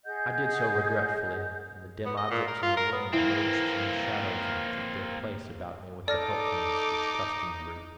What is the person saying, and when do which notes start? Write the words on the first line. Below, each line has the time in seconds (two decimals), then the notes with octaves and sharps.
I did so regretfully, and the dim objects in the room emerged from the shadows and took their place about me with the helpfulness which custom breeds.
0.05 G#4 D#5 F#5 G6
2.05 B3
2.17 D#5
2.31 A#2
2.48 A#4
2.63 F4
2.77 A#4
2.92 B3
3.13 E3 A#3 C4
6.08 D#4 A4 D5 D6 F6 A#6